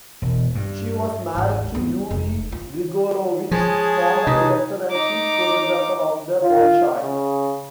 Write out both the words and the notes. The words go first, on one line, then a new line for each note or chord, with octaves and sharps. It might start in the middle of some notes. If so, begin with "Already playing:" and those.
She was married to Yuri Grigorovich, former Director and Chief choreographer of the Bolshoi.
E1
G2
G#1 D#2
B3 C4
F1 D#4
F4
F3 G#3 G#4 C#5 A5
C3 D#4 B4
D#4 D6
F4
C#3